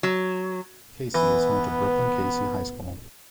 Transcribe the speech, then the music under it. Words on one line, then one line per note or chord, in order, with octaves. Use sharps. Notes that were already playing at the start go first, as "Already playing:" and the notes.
Cayce is home to Brookland-Cayce High School.
F#3
E3 B3